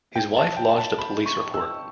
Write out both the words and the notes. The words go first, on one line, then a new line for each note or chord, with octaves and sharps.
His wife lodged a police report.
G5
A5
G5
B5
A5
B5
C#6
E6